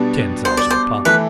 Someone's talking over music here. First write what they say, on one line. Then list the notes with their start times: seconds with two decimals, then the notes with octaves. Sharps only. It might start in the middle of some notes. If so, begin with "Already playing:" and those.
Ten thousand pounds.
Already playing: B2 G3 B3 D4
0.45 C5
0.57 D5
0.70 C5
1.05 E3 A3 B4